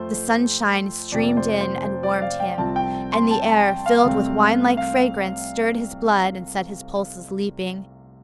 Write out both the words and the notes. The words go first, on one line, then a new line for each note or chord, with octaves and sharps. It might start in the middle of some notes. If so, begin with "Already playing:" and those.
The sunshine streamed in and warmed him, and the air, filled with winelike fragrance, stirred his blood and set his pulses leaping.
Already playing: F2 F3 A3 C5
F2 C3 A3 D5
C5
C5
C5
D5
F5
G5
C2 C3 F3 C4 A5
G5
C6
A5
A5
G5
F5
C2 C3 A3 C4
F5